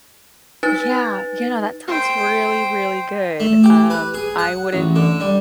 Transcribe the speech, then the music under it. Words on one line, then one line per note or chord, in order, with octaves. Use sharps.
Yeah, yeah, no, that sounds really, really good. Um, I wouldn't
D#4 B4 A6
C5 G5
A3
G4
B4
G#4
F#5
A1
D3
G3